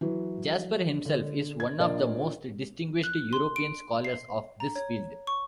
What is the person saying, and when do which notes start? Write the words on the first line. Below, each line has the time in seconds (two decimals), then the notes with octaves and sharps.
Jasper himself is one of the most distinguished European scholars of this field.
0.01 E3 F#3
1.05 D3
1.60 G#6
1.79 A#2 A#3 D4 F4 D5 D#5
3.04 F#6
3.33 C6
3.56 D7
4.05 C7
4.60 A#5
4.76 C#5
5.27 C#6